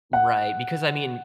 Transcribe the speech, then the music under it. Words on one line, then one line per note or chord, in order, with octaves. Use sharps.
Right, because, I mean,
F#5